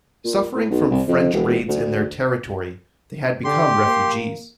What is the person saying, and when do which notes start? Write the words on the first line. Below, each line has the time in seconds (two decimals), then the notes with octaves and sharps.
Suffering from French raids in their territory, they had become refugees.
0.25 A#2
0.55 A2
0.70 B1
0.90 C2
1.07 F2
1.33 E1
1.68 D2
3.44 D3 G4 C6
3.86 A#3